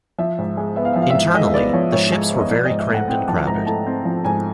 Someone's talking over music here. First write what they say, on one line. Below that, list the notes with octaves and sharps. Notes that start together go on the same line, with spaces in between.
Internally, the ships were very cramped and crowded.
F3 E5
G#2
G#3
B3 E5
F5
F3 E5
F5
G#2 E5
G#3 D#5
B3 D5
F3 C#5
G#2 C#5
G#3
B3
D#5
F3 D5
G#2 D#5
E5
A3
F#5
C4 G5
F3 A5
G#2 A#5
A3 A5
C4
F3
G#2 G#5